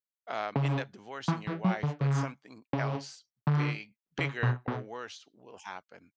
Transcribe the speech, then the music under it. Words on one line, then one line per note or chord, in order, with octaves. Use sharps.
um, end up divorcing your wife, but something else big bigger, or worse will happen.
C#3
E3
E3
F#3
D3
C#3
C#3
D3
C#3
B2
B2